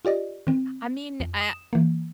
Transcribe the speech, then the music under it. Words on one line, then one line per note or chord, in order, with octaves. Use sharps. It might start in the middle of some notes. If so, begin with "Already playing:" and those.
I mean, I
F4 G4 D5 D#5
D#3 C4
F2
D#6 E7
E3 A#3